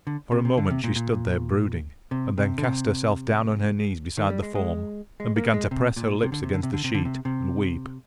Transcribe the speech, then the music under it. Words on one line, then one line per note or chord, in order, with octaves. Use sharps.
For a moment she stood there brooding, and then cast herself down on her knees beside the form, and began to press her lips against the sheet, and weep.
D3
C3
C3
D3
C3
A#2
A#2
C3
C3
D3
C3
D#3
G3
G#3
G#3
G#3
A#3
G#3
C3
A#2
C3
D3
C3
D3
C3
D3
C3
D3
C3
C3